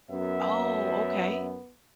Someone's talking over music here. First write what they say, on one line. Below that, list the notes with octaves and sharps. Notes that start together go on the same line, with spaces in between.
Oh, okay.
F#2 B3 E5